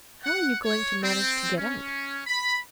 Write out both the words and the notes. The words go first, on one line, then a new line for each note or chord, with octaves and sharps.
"How are you going to manage to get out?"
F#5
C#5
C4
C#4
B5